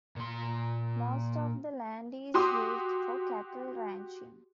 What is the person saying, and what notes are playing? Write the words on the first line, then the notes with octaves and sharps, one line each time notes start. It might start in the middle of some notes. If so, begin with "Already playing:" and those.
Most of the land is used for cattle ranching.
A#2 C6
F#4 G4 C6 D6 D#6